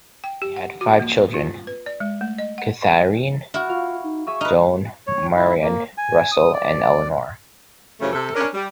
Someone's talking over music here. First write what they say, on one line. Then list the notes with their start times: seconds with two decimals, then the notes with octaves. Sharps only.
They had five children: Katharine, Joan, Marion, Russell, and Elinor.
0.24 G5
0.42 G4
0.57 F#5
0.81 F#4
1.00 A#3
1.34 F4
1.67 B4
1.86 D5
2.00 G#3
2.21 A3
2.38 D#5
2.58 F#5
3.54 E4 F#4 F6
3.69 F4 F5 C#6
4.04 D#4
4.27 G#4 E5 C#6 D#7
4.41 D#4 B4 F6
5.07 C#5
5.37 E4
5.62 A#3
5.98 G#5
6.32 D#6
6.54 D5
8.01 F#2 C#3 E3 F3 A3 C#4
8.13 C3 A4
8.34 C#4 D4 A#4
8.54 G3